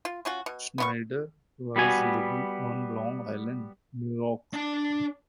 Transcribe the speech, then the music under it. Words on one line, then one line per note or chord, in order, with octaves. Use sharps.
Schneider was living on Long Island, New York.
F4
C#4 F4 F#4
B2
B3 F4 C#6
G3 B3 F#4 G#5
D4 A5